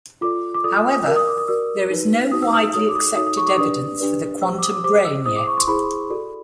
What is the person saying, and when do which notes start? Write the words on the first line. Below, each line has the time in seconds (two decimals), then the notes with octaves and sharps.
However, there is no widely accepted evidence for the 'quantum brain' yet.
0.21 F4 A4 D5 D6
0.54 D6
0.64 F4 A4 D5 D#6
0.77 D#6
0.92 D#6
1.06 F#4 A#4 D5 E6
1.16 D#6
1.27 D6
1.38 D#6
1.48 F#4 A#4 D5 E6
1.90 D#4 F#4 B4
2.32 D#4 F#4 B4 D#6
2.42 E6
2.53 D#6
2.64 E6
2.74 D#4 F#4 A4 C#5 D#6
2.89 D6
2.95 D#6
3.16 D#4 F#4 A4 C#5 D#6
3.27 D#6
3.37 C#6
3.47 D6
3.58 D4 G4 B4 D5 D#6
4.00 D4 G4 B4 D5
4.42 G4 C5 E6
4.53 E6
4.58 D6
4.63 D#6
4.73 D6
4.84 G4 C5 D6
5.05 E6
5.26 E4 G#4 C5 D#6
5.36 D6
5.47 C#6
5.57 C6
5.67 E4 G#4 C5 B5
6.10 F#4 A4 D5